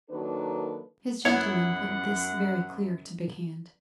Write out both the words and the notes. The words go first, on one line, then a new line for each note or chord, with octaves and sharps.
His gentlemen put this very clear to Big Hand.
D#3 F#3 A#3 D4 A4 B4
F#2 B3 E4 C#5 F#5